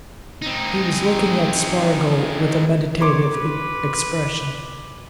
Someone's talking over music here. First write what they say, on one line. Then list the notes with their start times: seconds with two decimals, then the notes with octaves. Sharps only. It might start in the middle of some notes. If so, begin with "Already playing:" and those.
He was looking at Spargo with a meditative expression.
0.42 C4 D#4
3.00 C#5 C6 D6
3.33 B4